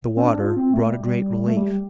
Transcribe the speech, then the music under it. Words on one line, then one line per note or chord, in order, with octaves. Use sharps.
The water brought a great relief.
C4
D4
F4
C4
A3
G3
A3
G3